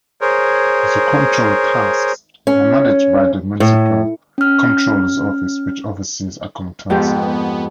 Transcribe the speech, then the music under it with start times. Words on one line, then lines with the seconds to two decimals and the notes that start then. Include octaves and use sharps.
The comptroller tasks are managed by the municipal comptroller's office, which oversees accountancy.
0.21 G#4 A#4 C5 C#5
2.47 C#4
3.60 A2
4.38 C#4 F6
6.90 F2 G#2 B3 G4